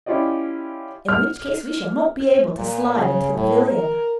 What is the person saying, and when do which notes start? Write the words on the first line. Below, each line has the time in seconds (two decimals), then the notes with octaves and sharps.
In which case we shall not be able to slide into the pavilion.'
0.06 C#4 E4 F4 G4 D5 D#5
1.08 F6
2.57 A#2
2.97 C#3
3.34 A2
3.68 A#4